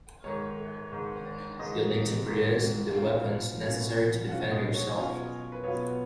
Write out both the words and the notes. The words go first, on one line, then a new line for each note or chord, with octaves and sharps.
You'll need to produce the weapons necessary to defend yourself.
G#2 D#3 G#3 C#5
G#2 D#3 G#3
G#2 D#3 G#3 D#5
G#2 D#3 G#3
B2 F#3 C#4 F4 F5
B2 F#3 C#4 F4
B2 F#3 C#4 F4 F#5
D#5
C#5
B2 F#3 C#4 F4 G#5
B4
B2 F#3 B3 F4 C#5